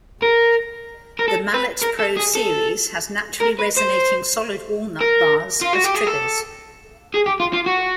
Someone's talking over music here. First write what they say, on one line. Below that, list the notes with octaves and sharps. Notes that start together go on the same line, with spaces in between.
The Mallet Pro series has naturally resonating solid walnut bars as triggers.
A#4
A#4
A4
B4
A#4
A4
G#4
A4
A#4
B4
C5
A#4
F4
F#4
G4
G#4
A4
G#4
G4
F4
F4
F#4